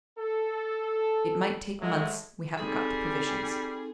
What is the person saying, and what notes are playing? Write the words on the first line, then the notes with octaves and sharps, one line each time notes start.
It might take months--we haven't got the provisions.
A4
G#2 F#3 G#3 A3
G3 C4 D#4 G#4 A4